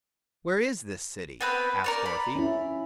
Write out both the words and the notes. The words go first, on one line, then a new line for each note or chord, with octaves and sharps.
"Where is this city?" asked Dorothy.
B3 C4 B4
A#4 C#5 D5
B5
C#4 E4